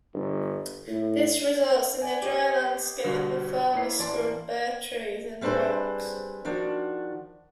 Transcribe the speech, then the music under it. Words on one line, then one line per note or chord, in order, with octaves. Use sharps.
This results in a dry landscape of thorny scrub, bare trees and rocks.
G1
A2
D5 G#5
G4 C5 C#5 D#5
B2 D3 G3 B3 F#4
A#3 E4 C#5 C7
A1 E3 D5 A5 C6
G3 C4 D4 G#4 B4 C5
D#3 F3 D4 F#4